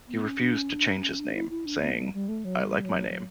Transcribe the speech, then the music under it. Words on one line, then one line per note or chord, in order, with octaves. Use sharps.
He refused to change his name, saying, I like my name.
B3
C#4
D4
C#4
D4
C#4
D4
E4
E4
D4
B3
G3
G3
A3
F#3
G3
F#3
F#3